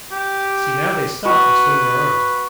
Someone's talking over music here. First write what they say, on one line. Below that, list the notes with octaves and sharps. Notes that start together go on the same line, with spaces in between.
See, now they stop and swing their arms!
G4
F#4 B4